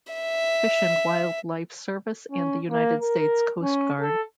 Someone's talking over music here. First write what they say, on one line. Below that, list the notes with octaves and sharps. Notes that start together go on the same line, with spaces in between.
Fish and Wildlife Service and the United States Coast Guard.
E5
C#4
A#3
A#4
C#4
A4